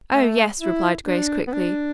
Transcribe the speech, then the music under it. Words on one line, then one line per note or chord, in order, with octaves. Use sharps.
"Oh, yes," replied Grace quickly.
A3
E4
D4
B3
D4